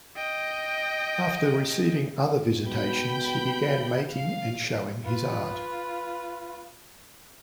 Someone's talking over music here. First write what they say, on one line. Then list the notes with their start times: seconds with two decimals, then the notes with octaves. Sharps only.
After receiving other visitations, he began making and showing his art.
0.16 D#5 G5
2.64 B2 G5 B5 G6
4.09 F5
5.04 F4 B4